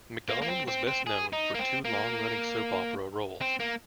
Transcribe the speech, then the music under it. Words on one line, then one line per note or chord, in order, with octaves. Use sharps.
McDonald was best-known for two long-running soap opera roles.
A#3
A#3
C4
C4
C4
G#4
D#4
A#3
C4
A#3
C4
A#3